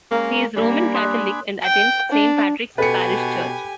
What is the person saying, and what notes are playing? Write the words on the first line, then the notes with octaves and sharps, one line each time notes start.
He is Roman Catholic and attends Saint Patrick's Parish Church.
G#3 A#3 C#4 A#4
G3 A#3 D4 G#5 B5
C6 D#6 F#6
G5
D4
B2 G4 A4 B4 G#5 C#7